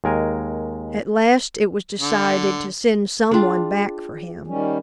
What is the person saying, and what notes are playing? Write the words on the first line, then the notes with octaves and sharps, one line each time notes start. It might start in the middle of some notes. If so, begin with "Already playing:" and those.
At last it was decided to send some one back for him.
D#2 G#3 A#4 G#5
D3
D4 F4 G#4 G5
D#3 G3 C#4